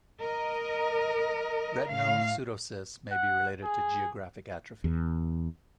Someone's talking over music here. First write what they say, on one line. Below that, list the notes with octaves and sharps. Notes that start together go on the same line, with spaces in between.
Retinal pseudocysts may be related to geographic atrophy.
A#4 D#5
A2 F5
F#5
G#4
E2